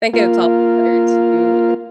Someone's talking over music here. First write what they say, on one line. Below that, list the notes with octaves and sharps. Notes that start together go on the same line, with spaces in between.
I think it's all better to
A#3 F4